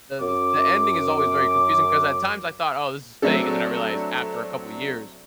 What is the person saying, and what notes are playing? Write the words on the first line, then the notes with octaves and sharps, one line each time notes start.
The the s the ending is always very confusing, 'cause at times I thought, "Oh, this is fake." And then I realized after a couple years
F#2 D6
F#3 A3 C4 D4 A4